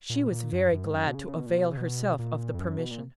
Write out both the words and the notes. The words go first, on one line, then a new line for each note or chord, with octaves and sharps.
She was very glad to avail herself of the permission.
A#2
A#2
F#2
F#2
G#2
F#2
B2
C#3
C#3
B2
A#2
B2
C#3
B2
A#2
F2
F#2
B2
A#2